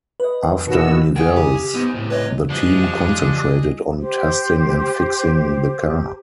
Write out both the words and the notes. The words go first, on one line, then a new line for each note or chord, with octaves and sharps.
After Nivelles, the team concentrated on testing and fixing the car.
B4 D#5
D#2 B2 F#4 E6
G#4 A4 B4 F#5 G5
C#3 G4
B3 D#4 C5
C#2 A2 C3
B4 C#5 D#5
F3 G3 D4 G#4 D#5
G4 C5